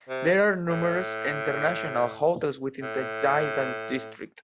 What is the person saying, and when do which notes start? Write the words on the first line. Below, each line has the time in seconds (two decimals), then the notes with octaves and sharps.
There are numerous international hotels within the Jiading district.
0.09 C3
0.70 A2
2.82 A2